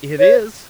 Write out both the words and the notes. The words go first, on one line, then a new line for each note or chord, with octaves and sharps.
"It is."
C#5